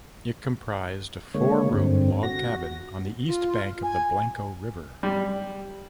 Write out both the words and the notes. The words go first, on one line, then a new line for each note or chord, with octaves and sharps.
It comprised a four-room log cabin on the east bank of the Blanco River.
D3 G#3 A#3 C#5
G2 D3 C4
F#4 A#6
F4
G#5
G3